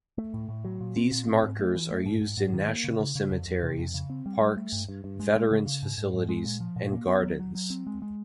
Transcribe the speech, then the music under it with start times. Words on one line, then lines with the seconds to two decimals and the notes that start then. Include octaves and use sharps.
These markers are used in National Cemeteries, parks, veterans facilities, and gardens.
0.18 A3
0.34 A2
0.49 A2
0.65 F#3
0.80 A#2
0.96 C4
1.11 A#2
1.27 C4
1.43 G#2
1.59 A3
1.75 E3
1.90 A3
2.06 G#2
2.21 G#2
2.37 G#2
2.53 D#3
2.68 A#3
2.84 C#3
3.00 C#3
3.15 C#3
3.31 F2
3.47 F2
3.63 C3
3.78 F2
3.94 C#3
4.10 C4
4.26 G3
4.41 G3
4.56 A3
4.72 G2
4.88 G2
5.04 G2
5.20 G#3
5.36 G#3
5.51 C#3
5.66 C#3
5.82 G#2
5.98 G#2
6.13 G#2
6.29 G#3
6.45 A#2
6.60 F3
6.76 A#2
6.92 A#3
7.08 B3
7.23 F#3
7.39 F#3
7.55 F#3
7.70 C4
7.87 G#3
8.02 G#3